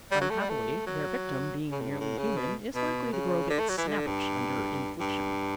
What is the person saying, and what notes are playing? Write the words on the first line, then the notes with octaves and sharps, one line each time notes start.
Unhappily, their victim being merely human, is likely to grow a bit snappish under infliction.
G3
F#3
A3
G3
A3
F#3
C#3
A2
G2
A2
C#3
B2
B2
C#3
D3
A3
F#3
E3
D3
G2
G2